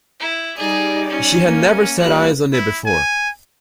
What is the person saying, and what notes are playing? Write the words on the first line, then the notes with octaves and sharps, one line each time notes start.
She had never set eyes on it before.
E4
G3 D#4 G#4 D5
C#4
A#3
F3 G3 A#3 F#6
E4
G#5